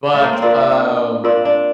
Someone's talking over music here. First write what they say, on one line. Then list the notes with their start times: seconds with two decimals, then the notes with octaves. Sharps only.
But, um,
0.14 A3
0.24 A#3
0.33 C4
0.42 D4 F4 A#4 F5 C6
1.24 D4 F4 A#4 F5 C6
1.45 D4